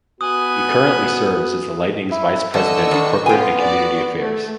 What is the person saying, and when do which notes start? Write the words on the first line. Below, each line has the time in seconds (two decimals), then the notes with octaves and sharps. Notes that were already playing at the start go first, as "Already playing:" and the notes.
He currently serves as the Lightning's Vice President of Corporate and Community Affairs.
0.21 B3 F#4 G#5 D#6 F#6
2.11 E4
2.54 D3 E3 D#5 C#6 E6
2.91 D#3 D4
3.26 B3 C#4 F4 G5 G#5
3.60 F#4 D5
4.21 A3